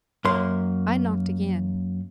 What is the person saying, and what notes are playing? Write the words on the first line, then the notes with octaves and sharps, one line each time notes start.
I knocked again.
F#2 A#3 C6